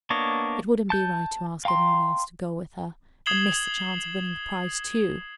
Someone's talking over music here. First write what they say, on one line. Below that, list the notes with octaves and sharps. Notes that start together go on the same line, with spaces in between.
It wouldn't be right to ask any one else to go with her, and miss the chance of winning the prize, too.
A#3 B3 D4 C#5 D#5
A5 G6
F5 G5 A#5 C6
D#6 G#6 C7 E7 F#7 G7